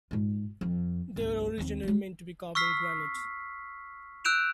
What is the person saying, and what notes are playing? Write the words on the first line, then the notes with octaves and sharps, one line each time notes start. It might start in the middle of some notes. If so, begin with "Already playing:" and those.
They were originally meant to be carved in granite.
G#2 F4
F2
G1 C2
D#2 C4
F#3 G#3
C#6 E6 F6 B6 C7
E6 F#6 G6 D7 E7 F7